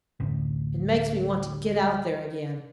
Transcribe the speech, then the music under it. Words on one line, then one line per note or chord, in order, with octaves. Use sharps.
It makes me want to get out there again.
A1 D2